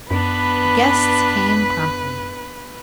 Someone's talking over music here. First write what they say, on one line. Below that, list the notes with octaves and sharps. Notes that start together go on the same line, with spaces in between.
The guests came promptly.
F#2 B3 D4 B4 B5